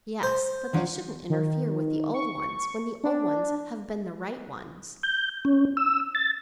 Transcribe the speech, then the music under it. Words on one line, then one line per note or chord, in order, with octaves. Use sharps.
"Yes; but they shouldn't interfere with the old ones when the old ones have been the right ones."
C5
F3 F#3 D4
D#3
C#6
D4
G6
C#4
E6
A6